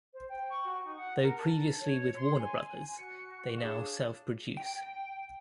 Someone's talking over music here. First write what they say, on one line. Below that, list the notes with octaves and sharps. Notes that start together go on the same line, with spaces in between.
Though previously with Warner Brothers, they now self-produce.
C5
G5
C#6
F#4
D#4
F#5
A#4
A5
C#5
C6
G#5
F#4 C#7
D4 G#4 C#5 F5 E7
G5